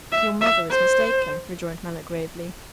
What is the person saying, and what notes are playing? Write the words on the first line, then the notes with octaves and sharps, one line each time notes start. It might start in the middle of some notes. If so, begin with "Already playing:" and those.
"Your mother is mistaken," rejoined Mallow gravely.
E5
E5
C5